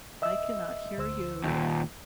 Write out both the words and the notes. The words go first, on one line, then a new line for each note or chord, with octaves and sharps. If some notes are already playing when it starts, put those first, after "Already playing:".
I cannot hear you!
D#5 E5 E6
D2 C5 E6
D#2 A#2